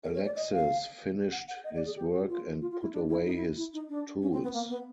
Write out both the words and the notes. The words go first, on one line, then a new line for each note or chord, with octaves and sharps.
Alexis finished his work and put away his tools.
A#4
C#5
D5
D#5
F5
F#5
F#5
D#5
D5
G#4
G4
F#4
F4
F4
F4
E4
D4
E4
D#4
E4
E4
D#4
D4
C#4
C4
B3
A#3
B3